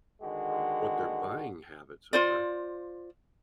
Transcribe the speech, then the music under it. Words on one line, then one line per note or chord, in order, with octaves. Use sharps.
um, what their buying habits are,
D3 D#3 G#3 F#4
F4 C5 D5